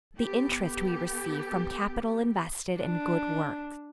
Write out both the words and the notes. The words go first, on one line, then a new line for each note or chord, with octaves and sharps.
The interest we receive from capital invested in good works.
B3 G4 A4
D4